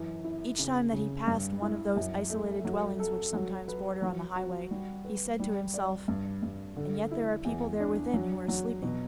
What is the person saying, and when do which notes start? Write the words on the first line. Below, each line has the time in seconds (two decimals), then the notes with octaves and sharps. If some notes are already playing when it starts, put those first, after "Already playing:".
Each time that he passed one of those isolated dwellings which sometimes border on the highway, he said to himself, "And yet there are people there within who are sleeping!"
Already playing: F#2 E3
0.24 E4
0.59 C#3
0.92 C#3
1.27 G2
1.62 E4
1.96 F#2
2.30 A3
2.65 F#3
2.99 A4
3.33 F#3
3.68 B4
4.02 F#3
4.36 F#4
4.71 G3
5.05 B4
5.39 G3
5.74 D5
6.08 G2
6.43 G2
6.76 D3
7.11 E4
7.45 E2
7.80 D4
8.13 F#3
8.48 F#3
8.83 B2